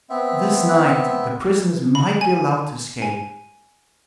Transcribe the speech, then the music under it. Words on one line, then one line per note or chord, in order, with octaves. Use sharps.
"This night the prisoners might be allowed to escape."
B3 C4 E5
B5
G#5
G#5